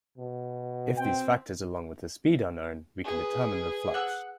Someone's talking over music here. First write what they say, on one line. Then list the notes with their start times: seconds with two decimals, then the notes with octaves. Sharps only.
If these factors, along with the speed are known, we can determine the flux.
0.18 B2
0.97 C4 G5
3.04 G#4 B4
3.94 F#5 E6